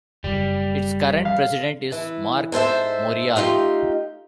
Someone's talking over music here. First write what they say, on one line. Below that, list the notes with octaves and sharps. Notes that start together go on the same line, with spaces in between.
Its current President is Marc Morial.
F#1 G3
F5
E3
G#2 A4 C5 E5
A3 D#4 F4 G4